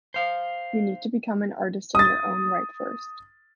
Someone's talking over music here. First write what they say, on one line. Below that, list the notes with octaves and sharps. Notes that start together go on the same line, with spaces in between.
You need to become an artist in your own right first.
C5 F5
D#6 A6